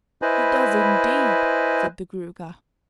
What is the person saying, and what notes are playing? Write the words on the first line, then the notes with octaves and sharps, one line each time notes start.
"He does indeed," said the Gruagach.
E4 B4 C5 D#5 G#5 B5